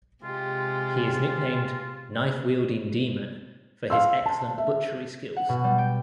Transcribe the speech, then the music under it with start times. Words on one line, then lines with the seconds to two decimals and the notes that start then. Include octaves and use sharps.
He is nicknamed "Knife Wielding Demon" for his excellent butchery skills.
0.24 C3 G#3 F4 G4
3.90 F5 C6 E6
4.26 A5
4.58 E5
5.36 F#5
5.49 B2
5.64 G3
5.78 G5